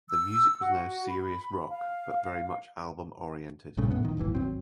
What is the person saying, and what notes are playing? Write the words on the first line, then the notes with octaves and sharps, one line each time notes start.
The music was now serious rock but very much album oriented.
E6
F#4
B5
F5
A#1 G2 C#3 A3
F#2 A2 B3
A1 D#3
D1 G1 D#2 E3
G#1 F#3 C4